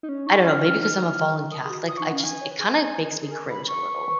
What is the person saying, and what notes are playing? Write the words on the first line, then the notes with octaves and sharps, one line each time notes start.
I don't know, maybe 'cause I'm a fallen Catholic, I just it kinda makes me cringe a little.
D#4
C#4
D#4 C#6
C#4 F6
D#4
F6
C#4
D#4 F6
D#6
G#4
F#4
F4 D#6
C#6
D#4
F#5
C#4 F5
D#4 G#5
B4
C#5
B4
G#4 G#5
G#4
A#4 G#5
B4 B5
C#6